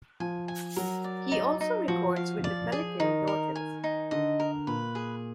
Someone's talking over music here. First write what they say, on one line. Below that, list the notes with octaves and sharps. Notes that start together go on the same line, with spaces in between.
He also records with the Pelican Daughters.
F3 G#5
G#5
F#3 A#4
D5
D#4
D#4
F3 F#4
F5
D5
G#4
D#3 D#4
A#4
G#5
D#4
D3 D#5
A#4
A#2 B4
G#4